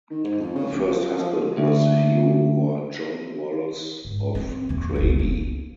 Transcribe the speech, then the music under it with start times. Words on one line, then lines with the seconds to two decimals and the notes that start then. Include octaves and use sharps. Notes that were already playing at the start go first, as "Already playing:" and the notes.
Her first husband was Hugh or John Wallace of Craigie.
0.10 D#3
0.24 G#2
0.40 F2
0.55 C#3
0.72 D1
0.86 F3
1.19 F3
1.57 D2
4.05 G#2
4.35 C4
4.69 E2 A#2
4.96 F1 C#2
5.19 A#3